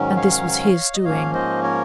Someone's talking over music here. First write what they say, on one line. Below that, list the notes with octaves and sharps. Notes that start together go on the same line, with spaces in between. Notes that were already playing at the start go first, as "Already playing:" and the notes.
And this was his doing.
Already playing: G#2 D#3 F#3 C#4
C#5 F5
D#5
G#2 F3 A#3 C#4 C#5 F5
C5 D#5
A#4 C#5